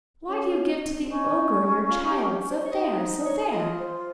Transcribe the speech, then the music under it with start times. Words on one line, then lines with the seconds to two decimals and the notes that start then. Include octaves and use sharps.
Why do you give to the ogre Your child, so fair, so fair?
0.29 C#4
1.00 C4
1.10 C#4 D#4
1.90 F4
2.11 G4
2.31 G4
2.51 C5
2.65 C#5
2.71 D#4 D#5
2.98 C5
3.25 C#5
3.52 F4 D#5
3.80 C5